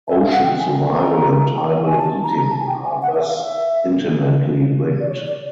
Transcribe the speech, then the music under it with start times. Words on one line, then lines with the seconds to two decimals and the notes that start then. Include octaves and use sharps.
Ocean survival and tidal heating are thus intimately linked.
0.08 E5
0.20 F5
0.31 F#5
0.43 G5
0.60 G#5
0.94 A#5
1.87 G#5
1.98 A5
2.24 A#5
2.50 A5
2.60 G#5
2.67 G5
2.85 G#5
3.02 F#5
3.14 E5
3.28 F5
3.40 E5
5.00 D5
5.09 C#5
5.26 D5